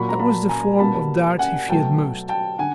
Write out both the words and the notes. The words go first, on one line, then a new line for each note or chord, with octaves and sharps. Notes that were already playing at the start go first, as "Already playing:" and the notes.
That was the form of doubt he feared most.
Already playing: A#2 F#3 A#3 B5 C#6
A#5
A5 B5
G#5 A#5
B2 G3 A#3 A5 B5
F#5 G#5
B2 F#3 A3 G5 A5
G5 A5
D3 F#5 G#5